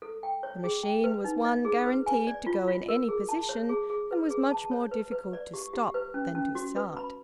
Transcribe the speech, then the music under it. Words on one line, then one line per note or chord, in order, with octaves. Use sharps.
The machine was one guaranteed to go in any position, and was much more difficult to stop than to start.
A4
G5
C#5
G#4
G5
B4
D#4
D#5
G#4
B4
G#5
D5
F4
F4
A#4
G#4
A5
C#5
G#4
G#4
B4
G#4
A5
C#5
B4
B4
D5
G4
G4
B4
C#4
C#4
F#4
B4
B5